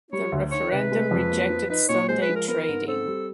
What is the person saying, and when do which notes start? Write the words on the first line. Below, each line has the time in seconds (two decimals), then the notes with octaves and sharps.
The referendum rejected Sunday trading.
0.12 G3 C#5
0.32 D2
0.52 D#3 C#5
0.71 C3 B4
0.92 G#3
1.11 F2
1.31 A#3
1.50 F3
1.70 D#4 B4
1.89 A#2 C#5
2.09 G#3 C5
2.22 B4
2.29 F3
2.36 A#4
2.48 B3 A#4
2.68 G#2
2.88 C4 A4
3.08 G3